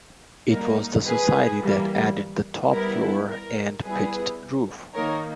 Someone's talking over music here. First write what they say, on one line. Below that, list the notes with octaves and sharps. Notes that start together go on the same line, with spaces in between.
It was the Society that added the top floor and pitched roof.
G3 A#3 D#4 A#4
G#4 B4
E3 G3 A#3
G3 B3 E4 A#4
A#4
G3 B3 E4 G#4 B4
D#3 A#3 D#4 A#4 C#5